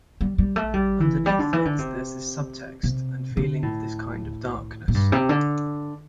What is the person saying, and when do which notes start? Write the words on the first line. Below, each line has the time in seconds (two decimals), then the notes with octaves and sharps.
Underneath it, there's this subtext and feeling of this kind of darkness.
0.21 G3
0.38 G3
0.56 A3
0.74 G3
1.00 E3
1.26 G3
1.39 D3
1.53 E3
1.65 D3
1.79 C3
2.83 C3
3.37 D3
3.62 A2
4.88 A2
4.94 G2
5.12 C3
5.29 D3